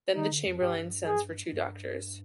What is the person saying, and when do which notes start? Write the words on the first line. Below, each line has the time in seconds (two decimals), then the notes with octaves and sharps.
Then the chamberlain sends for two doctors.
0.16 D#3 D#4
0.31 D3
0.46 F2
0.61 G2 G4
1.07 G#4
1.52 G2